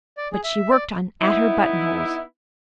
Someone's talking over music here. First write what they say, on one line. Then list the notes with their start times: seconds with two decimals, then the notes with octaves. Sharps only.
But she worked on at her buttonholes.
0.17 D5
0.32 G#4
0.44 E5
0.71 D5
1.21 B3 D#4 E4